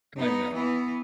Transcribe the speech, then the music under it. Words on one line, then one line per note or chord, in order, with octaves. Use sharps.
I know.
B3 D#4
E3 B3